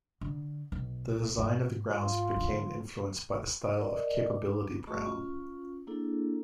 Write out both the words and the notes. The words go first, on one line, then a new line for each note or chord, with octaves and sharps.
The design of the grounds became influenced by the style of Capability Brown.
D3
B1
G#2
F4
D3
A#4 D5 D#5
D6
A3 F#4 G#4 D#5 C#6
C#4 F4
A#3 D4 E4 G#4 A4